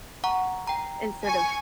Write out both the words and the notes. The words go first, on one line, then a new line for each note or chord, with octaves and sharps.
instead of
F#5 A#5 C#6
G5 A#5
G#5 C#6